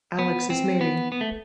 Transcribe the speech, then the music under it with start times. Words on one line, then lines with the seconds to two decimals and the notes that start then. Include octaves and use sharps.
Alex is married.
0.19 B3
0.50 C4
0.81 B3
1.12 B3
1.21 A3